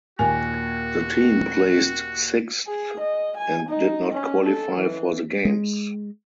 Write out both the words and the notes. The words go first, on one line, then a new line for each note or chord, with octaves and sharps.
The team placed sixth and did not qualify for the Games.
D#2 A#2 F#4 G#5
G#4
D#5
G#5
D#4
C#4
A4
E3
G#3